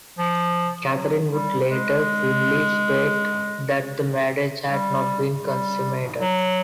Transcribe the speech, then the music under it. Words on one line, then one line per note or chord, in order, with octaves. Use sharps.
Catherine would later firmly state that the marriage had not been consummated.
F3
F#3
G3
G#3
G3
G3
F#3